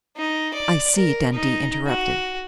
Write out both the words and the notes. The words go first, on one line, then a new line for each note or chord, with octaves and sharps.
"I see," Dundee interrupted.
D#4
D5
A#4
D#4
F#4